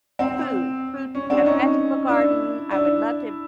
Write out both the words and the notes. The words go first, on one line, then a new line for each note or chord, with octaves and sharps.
food food, yeah, vegetable garden, I would love to
C4
C#4
C4 D4
C#4 D#4
D4 E4
D4 E4